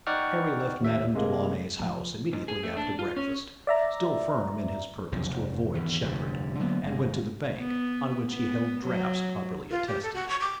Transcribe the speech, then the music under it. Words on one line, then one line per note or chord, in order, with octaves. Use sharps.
Harry left Madame Delaunay's house immediately after breakfast, still firm in his purpose to avoid Shepard, and went to the bank, on which he held drafts properly attested.
D#4 D5 F#5 G5 C#6 F6
D#2 E5
C3 G#3 A#3
F3
G#2
G#4
A3
D4
F4
C#4
D5 E5 A#5
F1 B1 F2 D3
F1
E2 G#2 D#3
F1 D2 G2
D3 F#3 A#3 B3
G1 G#3
B3
B3
F#3
F4
G4
A4
F#4
C#6
D6